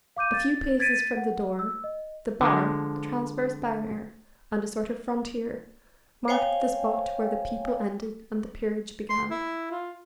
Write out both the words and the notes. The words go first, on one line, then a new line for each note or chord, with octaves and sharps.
A few paces from the door, the bar, a transverse barrier, and a sort of frontier, marked the spot where the people ended and the peerage began.
F5 D6 G6 D#7
A6
G#6 A6 B6 D7 D#7
F#5
E6
D#5
D3 F3 G#3
C5 C#5 F5 G5 G#5
C6
E4
F4